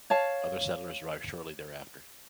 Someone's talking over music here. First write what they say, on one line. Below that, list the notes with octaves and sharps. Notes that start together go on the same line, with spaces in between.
Other settlers arrived shortly thereafter.
C#5 F5 A5